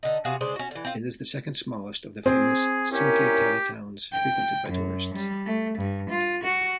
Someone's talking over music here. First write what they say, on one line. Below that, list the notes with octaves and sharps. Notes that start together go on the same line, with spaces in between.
It is the second smallest of the famous Cinque Terre towns frequented by tourists.
D3 D#4
C3 F#4 G#4 F5
C#3 G#3 D4 C5
C#4 F#4
D3 E3
C4 F4
C4 G#4
A#2 C#4 E4 G4 A#4
G5
F#2
G3
A3
G2
F4
F#4